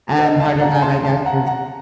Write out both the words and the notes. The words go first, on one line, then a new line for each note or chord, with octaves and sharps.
and part of that, I guess, is
C5 D#5
F5 A5
F#5 A#5
A5 C6
F5 A5
F#5 A#5
F#5 A#5